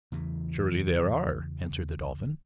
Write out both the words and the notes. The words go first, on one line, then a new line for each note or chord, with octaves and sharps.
"Surely, there are," answered the Dolphin.
E2 C#3 E3